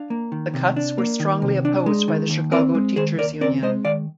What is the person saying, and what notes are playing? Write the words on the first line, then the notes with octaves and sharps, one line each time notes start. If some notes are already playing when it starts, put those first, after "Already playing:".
The cuts were strongly opposed by the Chicago Teachers Union.
Already playing: D4 F5
A#3
D#3
C3
D4
A#3
D#3
C3
D4
G#3
D#3
D#2
C4 A#4 D5
G#3
D#3 G#4 C5
D#2 A#4 D5
C4 A#4 D5
G#3 C5 D#5
D#3 D5 F5